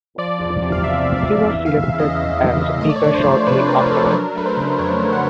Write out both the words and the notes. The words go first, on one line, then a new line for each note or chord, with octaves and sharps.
He was selected as speaker shortly afterward.
F3 D5
E2
D5
C3
F5
E2 E5
F3
F5
E2
E3 E5
F5
E2
E5
C#3
D#5
E2
E3
E2
A3 D#5
D5
C#5
D4 D5
C5
F3
C3 B4
A3 A#4
D4 A4
F#3 A#4
A3 B4
C5
C#3
F2 C#5
F#3
F#5